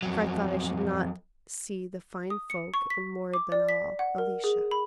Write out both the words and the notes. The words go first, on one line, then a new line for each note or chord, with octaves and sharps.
For I thought I should not see the fine folk and, more than all, Alicia.
F2 F#3
D#6
C#7
C#6
B6
D6
D5
B6
F#5
A#4
G#4
B5